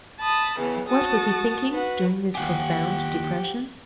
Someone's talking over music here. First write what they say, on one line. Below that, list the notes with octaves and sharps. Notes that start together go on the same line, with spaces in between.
Of what was he thinking during this profound depression?
A5 B5 D#6
C#3 E3 B3
F#4 A5 D#6
F#4 B4
D#2 G4 F5 F#5 G#5